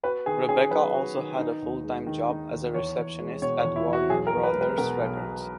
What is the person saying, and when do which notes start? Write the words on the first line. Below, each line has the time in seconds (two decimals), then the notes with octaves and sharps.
Rebecca also had a full-time job as a receptionist at Warner Brothers Records.
0.03 F#4 B4
0.26 D#3 G#4
0.49 C#4 G#4
0.71 F#3 B4
0.94 F#4
1.16 D#3
1.38 D#4
1.62 D#2
1.84 G#3
2.07 D#3
2.29 D#4
2.51 D#2
2.74 E2 C#5
2.97 E2
3.19 G#3
3.42 B2 C#5
3.59 C#5
3.64 E2
3.76 E4
3.87 E2
3.93 F#4
4.10 B1 G#4
4.27 A#4
4.33 B1
4.43 B4
4.56 G#3
4.61 B4
4.78 B2 A#4
5.00 B1
5.23 B1